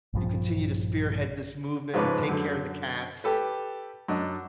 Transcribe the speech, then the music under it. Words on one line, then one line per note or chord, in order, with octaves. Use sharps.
you continue to spearhead this movement and take care of the cats.
A#1 G2 F3
G#2 C#3 F3 G#3 B4 D6
F#2 D3
G4 A4 B4
F#2 D4 D#5